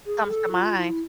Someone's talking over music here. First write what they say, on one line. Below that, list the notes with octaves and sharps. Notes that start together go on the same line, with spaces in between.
comes to mind.
G#4
A4
F4
F4
E4